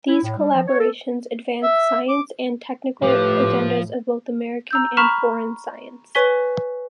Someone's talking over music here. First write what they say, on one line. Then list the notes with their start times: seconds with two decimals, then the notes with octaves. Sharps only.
These collaborations advance science and technical agendas of both American and foreign science.
0.08 E4
0.24 A2
0.37 G3
0.55 F3
0.68 C#5
0.80 A4
1.63 E5
2.09 D6
3.02 A2 F3 G4 B4
4.71 A#5 E6 G6
4.97 A#5 B5 C#6 F6 B6 E7
6.15 B4 C#5 G#5 C#6 B6 G7